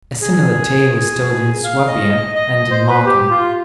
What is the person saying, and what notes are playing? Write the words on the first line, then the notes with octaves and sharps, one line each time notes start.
A similar tale is told in Swabia and in Marken.
G#4
F5
D#5
D#5
D#5
D#5
C5
B4
G4
F4